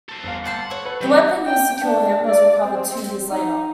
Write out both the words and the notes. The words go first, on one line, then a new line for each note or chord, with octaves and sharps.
The weapon used to kill him was recovered two years later.
A4 C5
G1 F5
F#5 G5 A5 C6
A4 C#5
B4
E3 G3 F#4 G4 G5
G5
D4
D5
C4
D#4